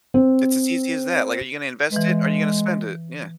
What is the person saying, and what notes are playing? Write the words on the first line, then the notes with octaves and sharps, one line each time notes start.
It's as easy as that, like, are you gonna invest it? Are you gonna spend it? Yeah.
C4
E3 G#3 B4